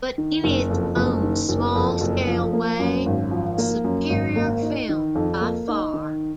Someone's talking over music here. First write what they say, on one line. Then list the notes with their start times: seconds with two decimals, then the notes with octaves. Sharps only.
But in its own small-scale way a superior film by far.
0.18 D#3
0.44 F#1
0.70 F2
0.96 F#1
1.23 D#3
1.49 F#1
1.75 F2
2.01 F#1
2.27 F3
2.53 A#3
2.79 F#2
3.06 G#1
3.31 F3
3.58 A#3
3.84 F#2
4.10 G#1
4.36 A#3
4.62 D#4
4.89 D#3
5.15 F2
5.41 A#3
5.68 D#4
5.94 D#3